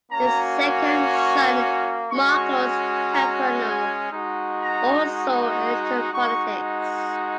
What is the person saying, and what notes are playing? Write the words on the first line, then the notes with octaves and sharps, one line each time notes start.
His second son, Markos Kyprianou, also entered politics.
A#3 C#4 F#4 A#5
C#6
G#3 C#4 F#4 C#6
A#5
G#5
G#3 D#4 F#4
A#5
G#3 D#4 F#4 C#6